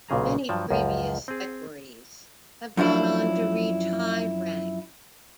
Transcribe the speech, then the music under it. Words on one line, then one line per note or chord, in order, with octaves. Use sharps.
Many previous equerries have gone on to reach high rank.
B1 A#2 C#3 G#4 A#5
G2 F3 F#3 A5
C#2 F#2 F3
C4 G#4
F#2 F3 D4 E4